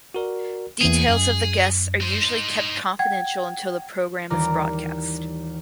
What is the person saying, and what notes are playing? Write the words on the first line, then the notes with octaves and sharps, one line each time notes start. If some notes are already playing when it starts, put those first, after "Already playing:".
Details of the guests are usually kept confidential until the programme is broadcast.
F#4 A#4 D5
E2 E3 A#3 G#4
F#2
D#4 C5
F#5 G5 G#6
D#2 E3 G3 F4 D5 A#5